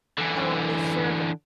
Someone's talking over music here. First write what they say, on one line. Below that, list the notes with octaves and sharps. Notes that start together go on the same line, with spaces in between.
Oh, and the Sheriff
D3 E3